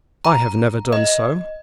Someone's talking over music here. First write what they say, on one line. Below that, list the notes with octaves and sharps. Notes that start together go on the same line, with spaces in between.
"I have never done so."
A#5
D#5